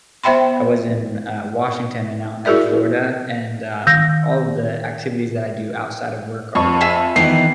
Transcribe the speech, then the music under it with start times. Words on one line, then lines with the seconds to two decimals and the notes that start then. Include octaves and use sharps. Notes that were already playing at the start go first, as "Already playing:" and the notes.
I was in, uh, Washington, and now I'm in Florida, and, um, all of the activities that I do outside of work are, like,
0.24 B3 C5 E5 G5 B5 C6
2.45 E4 F#4 G#4 A#4 D5 E5
3.87 D#3 F5 E6 G6 A#6
6.55 F2 C#6
6.81 G#4 E5
7.16 D#3 E3 B3 C7